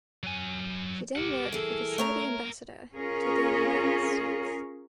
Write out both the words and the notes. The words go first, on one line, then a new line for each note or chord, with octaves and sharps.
He then worked for the Saudi ambassador to the United States.
F#3 G#5
G4 A#4 F#5
E3 G#4 A4
A3 C#5 A#5
C#4 F4 G#4 A#4 C#5